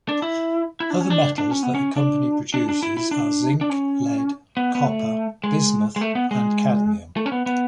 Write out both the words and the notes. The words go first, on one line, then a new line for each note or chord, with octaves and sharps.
Other metals that the company produces are zinc, lead, copper, bismuth, and cadmium.
D4
E4
E4
D4
C#4
D4
D4
C#4
B3
C#4
D4
D4
D4
E4
E4
D4
D4
C#4
B3
B3
A3
G#3
G#3
A3
B3
G#3
A3
C#4
B3
B3